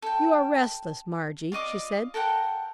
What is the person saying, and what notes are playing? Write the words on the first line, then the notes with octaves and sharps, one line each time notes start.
"You are restless, Margie," she said.
A4 G5
F4 D5 D#5 D6
A4 A#4 F#5 G5